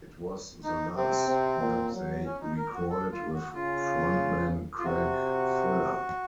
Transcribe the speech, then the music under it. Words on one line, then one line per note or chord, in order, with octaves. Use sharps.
It was the last that they recorded with frontman Craig Fuller.
D#4
C3 C4
C3
A#2
F#3
C#4
D#4
A#4
F#4
A4
F4
F#4
C#3 F4
F4
C3 F#4